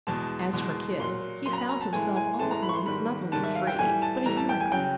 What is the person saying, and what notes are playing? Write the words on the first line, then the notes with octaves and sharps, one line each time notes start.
As for Kit, he found himself all at once not only free, but a hero.
E2 B2 G#3 A5
E2 B2 G#3
A#2 F#3 C6
A#2 F#3 C6
A#5
B5
A#5
A5
A2 E3 G#3 G#5
G#5
A2 E3 G#3 A5
A#5
B5
C#6
C6
G#2 D#3 G3 B5
G#2 D#3 G3 A5
E5
F5
G5
A2 E3 G3 G#5
A5
A2 E3 G3 A#5
A5
G5
G#5
C#3 F#3 G5